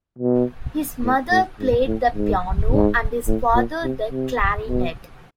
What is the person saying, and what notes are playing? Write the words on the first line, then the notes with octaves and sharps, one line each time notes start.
His mother played the piano, and his father, the clarinet.
B2
A2
A2
G#2
A2
G#2
G#2
A2
A#2
C3
C3
B2